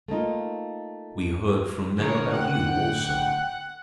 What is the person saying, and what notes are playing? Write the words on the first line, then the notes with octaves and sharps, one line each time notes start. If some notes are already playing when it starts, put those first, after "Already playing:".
We heard from them about you also.
A3 A#3 D#4 F4
A2 D3 G#4 A#4 C#5
F#5 G5